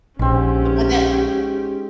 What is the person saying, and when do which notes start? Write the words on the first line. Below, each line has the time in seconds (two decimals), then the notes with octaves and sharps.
the one that
0.19 A#1 G#2 C4 C#4 G4